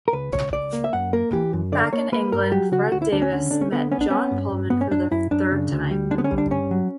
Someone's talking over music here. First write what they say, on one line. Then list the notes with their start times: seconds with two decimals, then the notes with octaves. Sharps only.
Back in England, Fred Davis met John Pulman for the third time.
0.08 A#4
0.13 C#2 B4
0.33 C#2 C#5
0.53 C#2 D5
0.73 A#3
0.84 E5
0.93 F#2 F#5
1.13 A#3 A#4
1.33 E3 G4
1.53 F#2
1.72 D3 D5
1.93 A#3 C#5
2.12 A#3 B4
2.32 G2 A#4
2.52 F#3 G4
2.72 C#3 F#4
2.92 D2 F#4
3.02 E4
3.12 D2 D4
3.22 C#4
3.32 D3
3.51 D3 D4
3.61 C#4
3.72 D3 B3
3.92 B3 C#4
4.01 D4
4.10 B3 C#4
4.31 G2
4.52 G2
4.70 G2 B3
4.81 C#4
4.91 F#2 D4
5.11 F#2 E4
5.31 F#2 D4
5.51 C#3
5.72 D2
5.91 G3
6.11 D3 D4
6.18 B3
6.24 C#4
6.31 G3
6.38 D4
6.50 G2 C#4
6.71 F#3